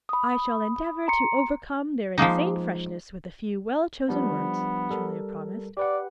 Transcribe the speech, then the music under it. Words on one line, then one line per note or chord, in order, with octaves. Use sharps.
"I shall endeavor to overcome their insane freshness with a few well-chosen words," Julia promised.
B5 D#6
A#5 C6 C#7
F3 G#3 A#3 D#4
F3 G3 B3 D4
G3 A4 A#4
G4 B4 D5 F#5